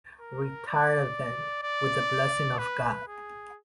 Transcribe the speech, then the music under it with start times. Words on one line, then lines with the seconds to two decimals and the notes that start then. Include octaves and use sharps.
Retire then, with the blessing of God.
0.20 A#4
0.67 D5
1.63 D5
2.59 B4
3.07 G#4